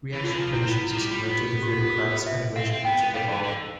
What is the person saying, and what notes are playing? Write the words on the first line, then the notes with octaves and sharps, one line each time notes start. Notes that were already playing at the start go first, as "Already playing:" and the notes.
Reaction conditions are similar to the Friedel-Crafts alkylation mentioned above.
E3
D3 F4
E3
F3
C4 E4
B3
E4
F3
G3
G3 F4
B3
G4
G4
F4
G4
E5
C4 F5
C4
B3 G5
B3
G3 F5
E3
D3